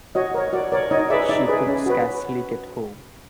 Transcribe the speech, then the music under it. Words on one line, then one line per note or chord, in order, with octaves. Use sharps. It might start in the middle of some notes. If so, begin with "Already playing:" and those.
She could scarcely get home.
F#4 C#5 D#5
A#4 C#5
F#4 D5
A#4 C#5 D5
D#4 C#5 D#5
G#4 B4 D5 E5
D#4 D5 E5
G#4 B4
C#4
F#4 B4